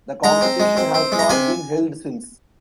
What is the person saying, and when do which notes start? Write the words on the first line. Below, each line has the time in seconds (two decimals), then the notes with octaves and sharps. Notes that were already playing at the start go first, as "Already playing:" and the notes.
The competition has not been held since.
0.24 G#3 A#5
0.41 C4
0.60 G#3
0.77 C4
0.94 C4
1.12 G#3
1.19 A#5
1.29 C3 G#5